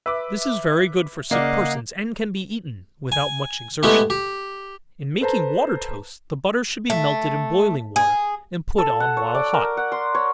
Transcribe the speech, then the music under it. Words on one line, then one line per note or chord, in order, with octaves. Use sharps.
This is very good for sick persons, and can be eaten without much exertion. In making water-toast, the butter should be melted in boiling water, and put on while hot.
B4 E5 D6
C#3 A#3 D5 D#5 F5 F#5
G#5
G#3 A3 B3 E4 G4
G4
A4 B4 C5 A5 A#5
A3
G#4
A4
F#5
C#5
D5
A#4
F#5
C6
C#5